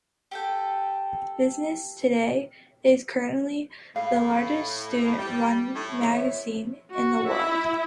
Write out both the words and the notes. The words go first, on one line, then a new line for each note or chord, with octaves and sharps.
"Business Today" is currently the largest student-run magazine in the world.
G4 A4 G5
A2 F5
G3
A2
E2 C#5 E5
F#4 C#6
E4 E5